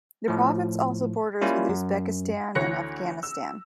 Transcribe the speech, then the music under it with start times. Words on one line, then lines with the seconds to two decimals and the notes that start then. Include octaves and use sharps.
The province also borders with Uzbekistan and Afghanistan.
0.28 A2 F3
1.41 G3 A#3 C#4 E4 F4
1.69 F#2
2.55 D2 E3 C#5 F#6 A#6 C#7
3.23 E6